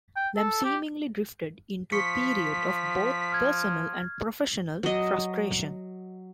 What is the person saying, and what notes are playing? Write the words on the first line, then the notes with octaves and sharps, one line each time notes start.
Lamm seemingly drifted into a period of both personal and professional frustration.
G5
A4
G4
F3 C#6 B6 C#7
F6 G#6
F#3 D#5